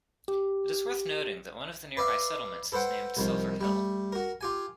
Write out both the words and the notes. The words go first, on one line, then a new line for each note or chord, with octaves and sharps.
It is worth noting that one of the nearby settlements is named Silver Hill.
G4
B4 D5 E5 F5
A4 B4 C5 F#5 G5
C2 D#3 F3
G3 A3
F#4 A#4
F4 G4 G#5